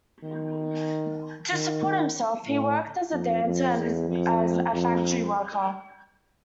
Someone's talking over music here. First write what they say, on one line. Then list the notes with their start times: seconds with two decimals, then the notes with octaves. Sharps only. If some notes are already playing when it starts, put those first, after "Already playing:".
To support himself, he worked as a dancer and as a factory worker.
0.23 D#3
1.52 D#3
2.48 A2
3.11 F2
3.44 F2
3.76 E2
4.08 F2
4.73 F2